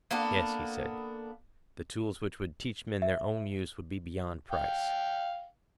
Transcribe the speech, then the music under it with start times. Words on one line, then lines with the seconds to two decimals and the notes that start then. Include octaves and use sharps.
Yes, he said, the tools which would teach men their own use would be beyond price.
0.11 A#3 B3 D4 A4
3.02 E5
4.51 F5 G5